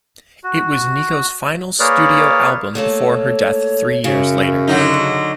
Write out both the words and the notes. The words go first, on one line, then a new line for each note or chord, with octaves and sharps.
It was Nico's final studio album before her death three years later.
F#4
A#3 G#4 A#4 B4 C#5 D5
A3 A#3 A4 C#5
F#2 C#3 F#4
D3 F#3 D#4